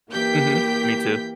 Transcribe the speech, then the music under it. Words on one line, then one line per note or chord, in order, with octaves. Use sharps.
Mhm. Me too.
E3 A#3 G4 G5 G6 B6